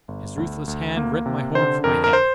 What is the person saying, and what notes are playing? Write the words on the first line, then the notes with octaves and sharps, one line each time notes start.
His ruthless hand rent my horn from my head.
G1
D2
D2
A#3
C3
D3 C5
F2 A#4
A#4
C5